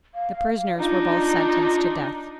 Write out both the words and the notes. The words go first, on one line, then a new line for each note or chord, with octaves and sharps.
The prisoners were both sentenced to death.
F5
D4 D#4 F4